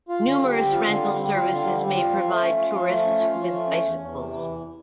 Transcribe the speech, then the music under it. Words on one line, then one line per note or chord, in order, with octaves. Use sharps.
Numerous rental services may provide tourists with bicycles.
F4
D3
G3
C4
F4
D3
G3
C4
F4
D3
G3
C4
F4
F3
A3
C#4
F4
F3
A3
C#4
F4
F3
A3
C#4
E2
E2
C3
E3
E2